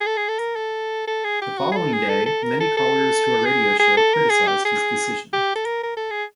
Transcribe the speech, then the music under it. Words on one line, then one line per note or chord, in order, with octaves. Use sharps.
The following day, many callers to a radio show criticised his decision.
G#4
A4
G#4
A4
A#4
A4
A4
G#4
G4
F#4
G#4
A4
G#4
A4
A4
A#4
A4
A4
G#4
G#4
A4
A#4
G#4
G4
G#4
G4
A4
A#4
A#4
A4
G#4